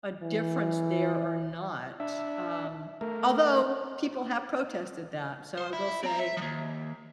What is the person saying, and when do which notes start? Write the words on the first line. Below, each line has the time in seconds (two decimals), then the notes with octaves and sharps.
a difference there, or not, um, although people have protested that. So, I will say,
0.22 E3
2.00 D4 E5
3.01 A3 A#4
5.57 C5
5.73 E4
6.03 C4 A#5
6.19 E5
6.37 D#2 F3